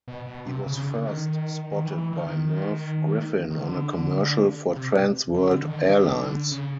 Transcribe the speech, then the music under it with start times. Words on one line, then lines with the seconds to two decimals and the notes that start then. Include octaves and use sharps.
He was first spotted by Merv Griffin on a commercial for Trans World Airlines.
0.08 B2
0.27 B2
0.46 C3
0.66 C#3
0.77 C#3
0.85 D3
1.05 D#3
1.71 D#3
1.83 E3
1.98 E3
2.12 D#3
2.27 D#3
3.50 D#3
3.59 D3
4.76 C3
5.34 D3
5.63 D#3
5.73 D3
5.81 D#3
5.92 D3
6.51 C#3